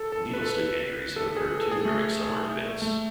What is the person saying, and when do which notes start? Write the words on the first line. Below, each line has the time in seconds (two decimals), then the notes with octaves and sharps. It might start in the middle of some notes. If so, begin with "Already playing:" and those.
Needle stick injuries have occurred too during Summer events.
Already playing: A4
0.12 A4
0.33 B4
0.42 A4
0.50 B4
1.16 A4
1.37 G#4
1.57 A4
1.71 G#4
1.85 A3
2.82 A3